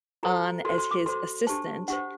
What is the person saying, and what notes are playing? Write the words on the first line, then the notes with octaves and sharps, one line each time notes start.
on as his assistant
F#4 A4 C5 A#5
F#4 A4 C5 C6
C6
D6
F#4 A4 C5 C6
D4 G4 C5 A5
D4 G4 C5 F#5